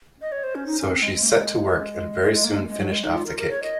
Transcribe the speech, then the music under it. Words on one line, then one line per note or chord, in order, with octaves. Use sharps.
So she set to work, and very soon finished off the cake.
D#5
C#5
C5
C#4
D#4
C#4
C4
G#3
G#3
A#3
G#3
G#3
G#3
A#3
G#3
G#3
F#3
G#3
D#4
F4
A#4
A#4
C#5
D#5